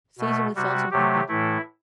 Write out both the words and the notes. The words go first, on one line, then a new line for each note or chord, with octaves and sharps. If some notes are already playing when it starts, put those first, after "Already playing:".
Season with salt and pepper.
B2 A3
C3 G3 F#4
C3 F#3 A3 G4
A2 E3 A3 E4